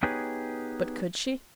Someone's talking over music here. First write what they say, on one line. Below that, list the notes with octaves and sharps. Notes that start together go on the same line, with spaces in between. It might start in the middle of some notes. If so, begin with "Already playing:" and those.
But could she?
B3 D#4 G4 G#4 B4 C#5